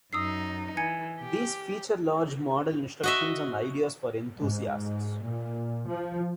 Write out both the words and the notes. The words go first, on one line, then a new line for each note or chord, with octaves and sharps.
These feature large model instructions and ideas for enthusiasts.
F#2 D#4 D#6 E6 C7
E3 G#5 G#6 C#7
G4
F#4 D#5 E5
G#2
A#2
F3